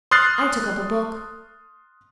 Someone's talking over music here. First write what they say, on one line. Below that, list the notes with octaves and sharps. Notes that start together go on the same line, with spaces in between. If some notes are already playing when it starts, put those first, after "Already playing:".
I took up a book.
C6 D#6 F6 F#6 A6 C7